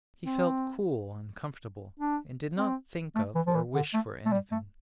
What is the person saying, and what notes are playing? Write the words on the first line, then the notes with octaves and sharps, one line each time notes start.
He felt cool and comfortable and did not think of or wish for anything.
C4
D4
C4
A3
E3
F3
E3
D3
A3
A3
G3
A3